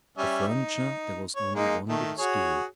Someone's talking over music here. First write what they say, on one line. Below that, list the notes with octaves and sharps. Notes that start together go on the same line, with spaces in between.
For furniture there was only one little stool.
G3 C#4 E5
D#4
C#5
G#3 A#3 D#4
D#3 A3
F#4 G#4 C#5